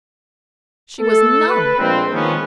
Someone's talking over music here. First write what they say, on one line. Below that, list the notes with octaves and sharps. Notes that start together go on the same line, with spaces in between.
She was numb!
A3 A4
B4
A#1 A#2 G#3 C4
D#3 F3 G#3 A#3 B3 C#4